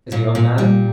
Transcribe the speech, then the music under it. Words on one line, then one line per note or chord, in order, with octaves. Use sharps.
"As a young man?"
A#2
A#2
G3